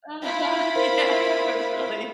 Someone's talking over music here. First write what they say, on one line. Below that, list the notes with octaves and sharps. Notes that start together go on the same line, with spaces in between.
Uh-huh, yeah, it was really
E4 F4 B5
A#4 C5